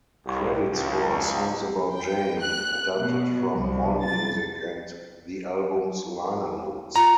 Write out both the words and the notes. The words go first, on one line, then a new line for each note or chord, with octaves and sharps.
Credits for "Songs About Jane" adapted from AllMusic and the album's liner notes.
C2
C#2
G5
F#6
B2
C2
A6
F4 A#5